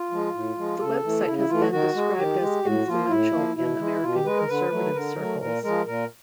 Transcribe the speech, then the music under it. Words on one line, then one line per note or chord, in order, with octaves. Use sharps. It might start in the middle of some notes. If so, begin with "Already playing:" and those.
The website has been described as influential in American conservative circles.
Already playing: F4
F3 G#3
A2
F3 G#3
C#3 A4
E3 A3
C#3 E4
E4
E3 A3 F4
F#4
D#3 F#4
G#3
D#3 G4
G#3
A2 F#4
F3 A#3 F4
A2 E4
F3 A#3
B2 E4
G#3
B2 F4
G4
G#3 B4
A#4
D3 B4
F#3 A3
D3 A#4
F#3 A3
A#2 A#4
F3 G#3 A#4
A#2 A#4